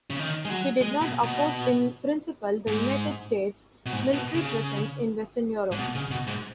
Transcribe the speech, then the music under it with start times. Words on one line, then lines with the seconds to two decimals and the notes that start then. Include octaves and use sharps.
He did not oppose, in principle, the United States' military presence in Western Europe.
0.10 C#3
0.19 D#3
0.45 G#3
0.50 F#3
0.81 G#3
1.01 B2
1.23 B2
2.67 G#2
3.86 B2
3.93 G#2
4.13 B2
4.35 C#3
5.72 G#2
5.79 B2
5.95 C#3
6.11 B2
6.27 G#2